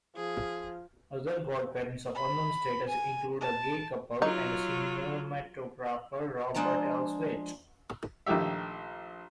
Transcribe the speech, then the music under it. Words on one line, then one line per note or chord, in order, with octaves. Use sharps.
Other godparents of unknown status include a gay couple and cinematographer Robert Elswit.
F3 G#4
B5
G#5
A5
F#3 D#4 F4
F3 G#3 D4 F4 A5 A#5
A#1 D#3 A3 G4 E5